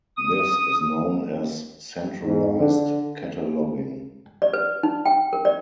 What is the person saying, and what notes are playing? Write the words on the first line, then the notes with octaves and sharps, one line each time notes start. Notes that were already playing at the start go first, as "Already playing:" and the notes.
This is known as centralized cataloging.
D#6
G#2
D3
D5
B4
D#4
G5
A#4
D5